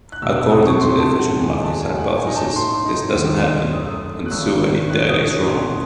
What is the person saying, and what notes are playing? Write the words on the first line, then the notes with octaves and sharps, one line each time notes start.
According to the efficient-market hypothesis, this doesn't happen, and so any data is wrong.
F#6
E1 E6
E6
C3 D#6
C#6
A2 C6
A5
G#3
F#5
D#2 G#5
F#5
A5
G#3 G#5
G#5
A2 F#5
G#5
D#4
A5
A2 C6
D#4
D#2
A3
F#2 D#6
E6
D#6
A3
F#6
G#1 E6
D#3
A2 F#6
D#6
C#4
D#6
E1 C6
F#5